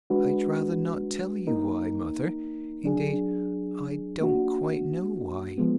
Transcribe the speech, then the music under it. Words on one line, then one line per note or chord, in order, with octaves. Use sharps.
"I'd rather not tell you why, mother; indeed, I don't quite know why."
G#3 D4 F#4 B4
A#3 D#4 A#4
F#3 D4 G#4
A#3 D4 F#4
F3 G#3 B3